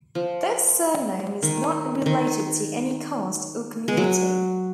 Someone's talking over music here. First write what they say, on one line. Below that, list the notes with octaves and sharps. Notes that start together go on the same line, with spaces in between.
This surname is not related to any cast or community.
F3
D#3
D#3
G#3
F#3